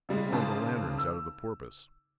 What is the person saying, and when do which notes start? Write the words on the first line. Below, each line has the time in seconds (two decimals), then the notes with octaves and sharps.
"With one of the lanterns out of the Porpoise."
0.09 C#3 G3 G#3
0.32 G#1 C#3 C5 A5
0.98 E6